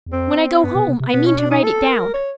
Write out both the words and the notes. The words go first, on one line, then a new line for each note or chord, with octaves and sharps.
When I go home I mean to write it down.
E2
F2 C4
G2 B3
B2
C3
C3
B2 B3
C#4
D4
D#4
A4
A#4
C#5